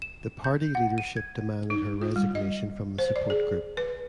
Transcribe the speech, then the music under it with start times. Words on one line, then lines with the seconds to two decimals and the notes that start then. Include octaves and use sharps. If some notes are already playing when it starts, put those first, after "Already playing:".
The party leadership demanded her resignation from the support group.
0.02 E7
0.44 G6
0.75 F#5
0.98 D#7
1.17 G#6
1.70 D#4
2.01 F4
2.16 G3
2.35 D#5
2.98 C5
3.16 D5
3.30 G#4
3.77 B4